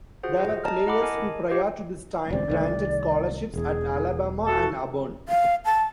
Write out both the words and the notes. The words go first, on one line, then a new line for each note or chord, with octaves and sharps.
There were players who, prior to this time, granted scholarships at Alabama and Auburn.
F4 F#4 G#4 C5 F#5
D#5
D#5 A5 A#5 F6
E4 D#5 F#5 B5 D6
A#4 D#5 G#5 A5
G4 C5 D#5 F5
E1 D2 C4 D5
C2 D#3 A3
E1 E2 G#4
F#4 A4
F5
A5